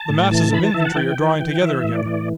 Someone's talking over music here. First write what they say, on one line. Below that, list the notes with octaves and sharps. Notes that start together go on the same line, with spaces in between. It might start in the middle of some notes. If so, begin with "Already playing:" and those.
The masses of infantry are drawing together again.
Already playing: A5
A2
E3 A5
E3 B5
A5
E3 E5
F#5
E3 G5
E3
E3
E3 E5
A2
D5
E3